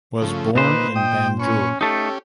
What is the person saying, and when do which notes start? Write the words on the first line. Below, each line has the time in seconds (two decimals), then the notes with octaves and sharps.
Was born in Banjul.
0.22 C#3 F3 A3
0.55 A#2 A#3 D#4 B4 C5
0.96 D#5 G5 D#6
1.39 C#4 B4 C#6
1.81 A3 C#4 D#4 G4 A4